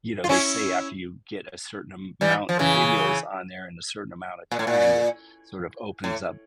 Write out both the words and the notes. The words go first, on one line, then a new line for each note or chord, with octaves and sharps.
you know, they say after you get a certain am amount of videos on there in a certain amount of time, it sort of opens up.
F4
C#4 E4
E3 G3
F3
C#3 E3
A#2
A2
A#2
A2